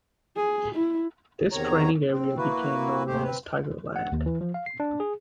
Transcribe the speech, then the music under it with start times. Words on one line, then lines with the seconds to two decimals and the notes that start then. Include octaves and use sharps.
This training area became known as Tigerland.
0.37 G#4
0.75 E4
1.52 E2 C3 D#3 C#5 A#5
2.10 C4
2.38 A#3 E4 F#4 B4
3.07 D#2 G#2 A3 G4 C5
3.24 C4 B4
3.96 F#5
4.12 D#2
4.26 E3
4.41 F3
4.54 F5
4.66 C7
4.80 D4
5.00 G#4